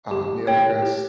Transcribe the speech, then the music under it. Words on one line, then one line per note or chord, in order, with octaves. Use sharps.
um, Neil deGrasse
G4
C#5 G5
G4